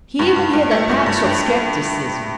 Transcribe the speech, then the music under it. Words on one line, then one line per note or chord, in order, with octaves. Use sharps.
He even had attacks of scepticism.
G2
G2
G2
A3
G2
G2
G2